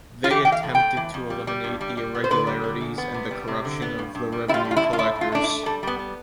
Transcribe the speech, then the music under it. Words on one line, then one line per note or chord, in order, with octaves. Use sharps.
They attempted to eliminate the irregularities and the corruption of the revenue collectors.
F4
E3 G4
E3 G5
F5
A2
G5
A2
E3
F2
G3
G3
G2
G3
G3
B3
C5
D3 B4
G3
D3
E2
B3
C3
G3
C3
D3
B3
G2
G2
G3
G3 E4
F4
A2
F4
E4
A2
F4
A3 E4
G2
F4
A3 D4
E4
A3
G3 A4
G3 B3
B3